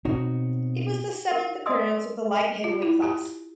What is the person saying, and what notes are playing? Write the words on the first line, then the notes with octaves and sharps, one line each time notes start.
It was the seventh appearance of the light heavyweight class.
B2 C4 D#4 F#4 C#5
A#4
D5 D#5 G#5 C6 D#6 E6
D#5
F4
E4
G4